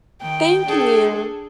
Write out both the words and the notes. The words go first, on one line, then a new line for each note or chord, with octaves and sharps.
Thank you.
D#3 G5
D4 G#4 A4